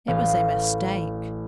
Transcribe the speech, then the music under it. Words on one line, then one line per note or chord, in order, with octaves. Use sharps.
It was a mistake.
A1 F5